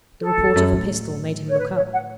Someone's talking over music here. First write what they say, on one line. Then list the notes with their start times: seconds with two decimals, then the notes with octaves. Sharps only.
The report of a pistol made him look up.
0.21 A4
0.38 E2
0.55 F#2
0.72 A2
1.48 C#5
1.58 B4
1.75 C#5
1.92 F#5